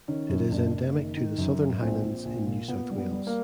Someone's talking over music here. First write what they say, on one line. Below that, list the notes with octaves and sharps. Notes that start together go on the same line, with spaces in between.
It is endemic to the Southern Highlands in New South Wales.
D#3 C#4
F#2
F#1 D4
F#1
D#3
D#3
F#2
F#3
A#1 C4
A#1
A#1
A#2
A#2 B3
G3
B3
G3
A#3